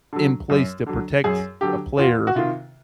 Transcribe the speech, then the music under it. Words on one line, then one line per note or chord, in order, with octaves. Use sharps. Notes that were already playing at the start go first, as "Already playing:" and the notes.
in place to protect a player,
D3 F#3
F#2
D3 F#3
F#2 G#4
D3 F#3 G4
E2 F4
F#4
C3 D#3 F4